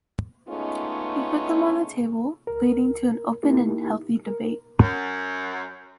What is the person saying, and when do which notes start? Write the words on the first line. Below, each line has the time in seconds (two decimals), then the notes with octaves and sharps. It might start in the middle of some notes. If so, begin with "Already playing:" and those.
He put them on the table, leading to an open and healthy debate.
0.48 G#3 A3 B3 C#4 D#4 F4
2.47 C#2 A#4
3.14 A#4
3.43 A#3 D#4 E4 G4 A#4
4.26 A#4
4.80 F#2